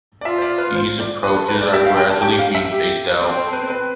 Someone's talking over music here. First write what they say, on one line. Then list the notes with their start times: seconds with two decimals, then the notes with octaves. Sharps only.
These approaches are gradually being phased out.
0.21 D5
0.25 F4 E5
0.38 C5
0.42 D5
0.58 B4
0.75 C5
1.00 D5
1.23 B4
1.37 A4
1.48 B4
1.61 D5
1.73 G4 E5
1.85 F5
1.97 G5
2.10 A5
2.22 G4 G5
2.39 F5
2.55 E5
2.72 G4
3.10 C5
3.20 C4 D5
3.37 C5
3.46 A4
3.53 B4
3.70 B4